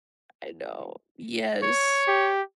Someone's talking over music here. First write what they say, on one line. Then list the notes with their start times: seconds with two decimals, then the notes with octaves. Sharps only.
I know. Yes.
1.63 C#5
2.08 G4